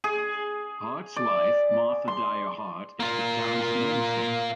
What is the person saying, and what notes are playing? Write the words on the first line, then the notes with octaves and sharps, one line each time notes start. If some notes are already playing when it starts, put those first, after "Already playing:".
Hart's wife, Martha Dyer Hart, is the town's namesake.
G#4
D5
C6
A#3 F4